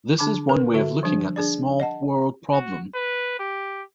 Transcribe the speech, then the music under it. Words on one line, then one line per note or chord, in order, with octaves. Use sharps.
This is one way of looking at the small world problem.
D3 D4 A5 B5 D6
A#4 B4
D3 F#4 A4 E5
F3 G3 D4
D4 G#4 D5
D#5 F#5 A5
F#4
B4
G4